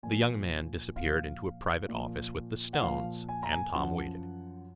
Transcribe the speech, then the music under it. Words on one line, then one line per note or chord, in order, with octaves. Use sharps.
The young man disappeared into a private office with the stones, and Tom waited.
A#2 F3 G#5
A#2 F3 F5
A#2 F3
F#5
A#2 F3 F5
G#5
A#5
G#5
F#2 F3 F#5